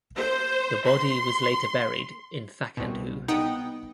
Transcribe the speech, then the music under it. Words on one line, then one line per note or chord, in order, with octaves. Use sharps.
The body was later buried in Thakandhoo.
C5
C6
C2 B2
C2 B3 D#4 F#5 G5 D#6